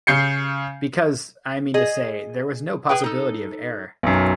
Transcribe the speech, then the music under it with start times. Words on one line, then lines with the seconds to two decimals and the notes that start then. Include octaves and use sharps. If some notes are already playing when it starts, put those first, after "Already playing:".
Because, I mean to say, there was no possibility of error.
0.07 C#3 G6 C7 C#7
1.74 G#4 D#5
2.89 G#4 B4 G5
3.04 D#4 A4
4.03 B1 F#2